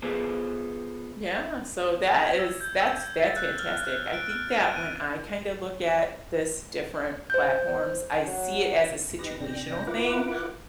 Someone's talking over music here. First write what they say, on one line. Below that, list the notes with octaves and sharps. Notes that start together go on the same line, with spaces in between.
Yeah, so that is that's that's fantastic. I think that when I kinda look at this different platforms, I see it as a situational thing
B3 F4 G#4 A4 B4 C5
G#6
E6
G6
E6
A6
F#6
F6
F#6
D7
F6
D#7
D#7
C5 G6
F#3
D#4 G4 B4 A#6
C3 D4 G5 A#6
E4 F4 A#4 B4 F#5 D6